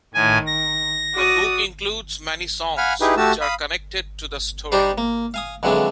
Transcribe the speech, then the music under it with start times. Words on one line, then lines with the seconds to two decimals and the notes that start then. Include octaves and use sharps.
The book includes many songs which are connected to the story.
0.14 A2 D#3 G#5
0.47 A#6
1.14 F#4 D5 D#6
2.78 F5 F#5 G#5 B5 F6
3.01 D#4 E4 G4 G#4 B4
3.17 A3 F#4 G4 A5 E6
3.41 F5 B5 D#6
4.72 G3 D4 D#4 G4 C5 D5
4.98 A#3
5.34 F5 G#5 D#6
5.63 F2 D3 E3 F#3 G#3 D4